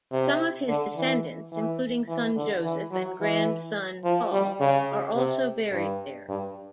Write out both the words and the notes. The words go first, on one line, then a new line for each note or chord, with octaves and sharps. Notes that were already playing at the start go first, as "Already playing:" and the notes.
Some of his descendants, including son Joseph and grandson Paul, are also buried there.
C3
D3
E3
E3
E3
D3
E3
F#3
E3
F3
G3
C#3
C3
G2
G2